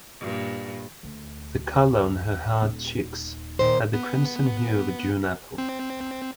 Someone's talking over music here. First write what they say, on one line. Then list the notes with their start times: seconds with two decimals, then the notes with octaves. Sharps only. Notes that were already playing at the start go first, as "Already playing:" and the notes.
The color on her hard cheeks had the crimson hue of a June apple.
0.20 G2 A#2
1.03 D2
2.62 D#1 D#4
3.59 A#2 D#3 C5
3.94 B3
5.58 C4